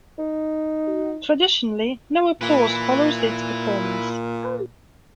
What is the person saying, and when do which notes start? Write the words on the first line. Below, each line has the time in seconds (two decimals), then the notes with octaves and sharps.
Traditionally, no applause follows its performance.
0.18 D#4
2.41 A#2 E4 B4